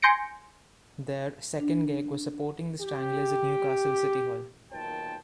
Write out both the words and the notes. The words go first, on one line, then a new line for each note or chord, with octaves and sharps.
Their second gig was supporting The Stranglers at Newcastle City Hall.
G#5 C6 G6 A#6 C#7 D7
D4
G4
B1 A#2 D#3 C5 G5 A5